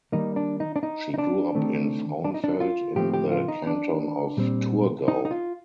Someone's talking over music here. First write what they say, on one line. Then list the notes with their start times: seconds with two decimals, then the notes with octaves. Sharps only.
She grew up in Frauenfeld in the canton of Thurgau.
0.12 D#3 G3 A#3 D#4
0.36 D4
0.60 D#4
0.76 D4
0.83 D#4
1.14 D#4
1.18 D4
1.55 D#3 A3 C4
2.25 D4
2.34 D#4
2.44 D4
2.60 F4
2.95 A2 F3 A3 C4 G4
3.14 G4
3.31 F4
3.48 D#4
3.67 D4
4.37 A#2 G3 C4
5.08 D#4
5.25 D#4
5.31 F4